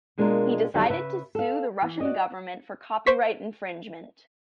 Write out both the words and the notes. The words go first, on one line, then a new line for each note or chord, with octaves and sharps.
He decided to sue the Russian government for copyright infringement.
B2 G#3 A#3 D4 F4 A#4
D#2 D3 F#3 G3 D#4
C#3 B4 E5
A4 F5
E3
F#4 D5 D#5
C5 C#6 B6